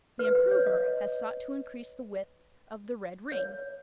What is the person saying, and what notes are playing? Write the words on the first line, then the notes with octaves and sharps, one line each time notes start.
The improver has sought to increase the width of the red ring.
B4
B4
C#5
D#5
C#5